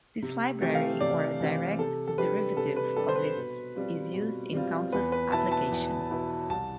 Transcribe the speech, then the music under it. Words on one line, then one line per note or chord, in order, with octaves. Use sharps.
This library or a direct derivative of it is used in countless applications.
C3
E3 A3 C4 G4
F5
C3 D5
E3 A3 C4 G4
C3 A4
A4
G3 D4 G4 B4
C3 A4
B4
G3 D4 G4 A4
C5
B4
B2
G3 C4 F4
B2
G3 C4 F4
E2 B4
B4
B2 B3 E4 A5
A5
E2
B2 B3 E4
C2 A5